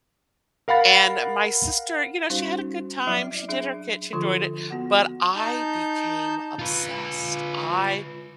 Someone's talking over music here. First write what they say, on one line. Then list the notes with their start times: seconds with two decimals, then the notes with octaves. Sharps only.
and my sister, you know, she had a good time, she did her kit, she enjoyed it, but I became obsessed. I
0.68 A#4 F5 F#5 B5 A6
2.30 G3 C#4 D#4 F#4 C5
3.07 F#3 E4 D5 E5
3.49 D4 G#4 E5
4.13 D3 F3 F4 A4 C#6
4.70 B3 F#4 F#5
5.36 D#4 A5 G6
6.59 F4 B4